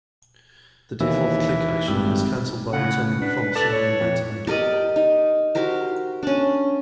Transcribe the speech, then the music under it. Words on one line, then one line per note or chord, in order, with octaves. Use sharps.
The default click action is cancelled by returning false in the event handler.
D#2 E3
G#1 G2
A2 C#3 F#5
D4 B4
A4 B4 D5 A5
C#5
F2
G4 A#4 D5 D#5
D#4
F#4 G4 A#4 C5
C#4 D4